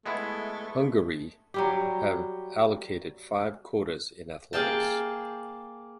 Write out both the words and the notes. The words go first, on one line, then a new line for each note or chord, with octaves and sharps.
Hungary have allocated five quotas in athletics.
G#3 A3 B3 E4
F#3 G3 G4
A#3 G#4 F5 G5 A5